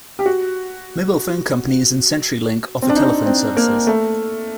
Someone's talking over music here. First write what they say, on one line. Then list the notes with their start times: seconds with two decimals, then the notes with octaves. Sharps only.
Mobile phone companies and Century Link offer telephone services.
0.19 G4
0.26 F#4
2.82 C4
2.89 D4
2.96 D#4
3.26 C4
3.57 A#3
3.87 A3